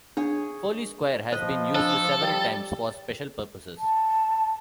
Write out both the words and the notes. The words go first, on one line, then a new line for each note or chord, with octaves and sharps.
Foley Square has been used several times for special purposes.
D4 G#4 C#5
F3 B4 C5 D#5
D4 A4 C5 A5
G3
A5